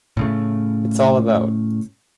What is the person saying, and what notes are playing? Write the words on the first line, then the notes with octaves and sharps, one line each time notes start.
It's all about.
A2 C#3 A3